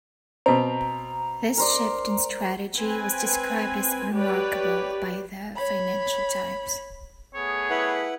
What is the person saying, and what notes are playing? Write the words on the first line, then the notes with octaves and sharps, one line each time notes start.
This shift in strategy was described as "remarkable" by the "Financial Times".
B2 C4 A#5
A#4 C5 D5
C4 B4 G#5
G4 B4 C#5 D5
C#5 B5
A3 B3 G#4 C#5
E4 B4 F#5